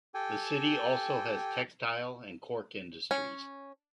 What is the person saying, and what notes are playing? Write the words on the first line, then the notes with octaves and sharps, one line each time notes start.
The city also has textile and cork industries.
G4 A4 G5 G#5
C#4